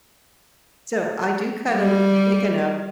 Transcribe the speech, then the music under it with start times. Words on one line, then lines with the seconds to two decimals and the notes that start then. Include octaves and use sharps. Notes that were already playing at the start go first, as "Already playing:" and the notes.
so, I do cut 'em big enough
1.71 G3